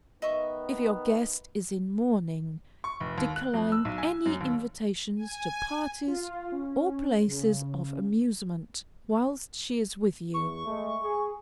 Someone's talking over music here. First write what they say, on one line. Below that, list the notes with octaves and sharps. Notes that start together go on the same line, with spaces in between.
If your guest is in mourning, decline any invitations to parties or places of amusement whilst she is with you.
D#3 B3 D#5 E5 C#6
C#6
F1
D#2
F#6
F2
E6
B1
G#5
F#2
D#2
G#5
F4
C#4
C#3
E2 C#6
G#3 A3
G#4